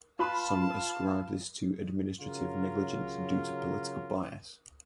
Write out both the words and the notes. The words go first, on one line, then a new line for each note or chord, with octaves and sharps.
Some ascribe this to administrative negligence due to political bias.
F4 B4 F5 A5 B5 C6
C#3 F#3 F4 A#4